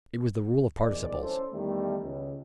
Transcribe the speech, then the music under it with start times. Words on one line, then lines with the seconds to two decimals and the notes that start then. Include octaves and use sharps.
It was the rule of participles.
0.82 B1 D#3 F3 G#3 D5
1.22 C#4 E4 A4 C5
1.53 E2 D#3 G3 A3
2.02 C#2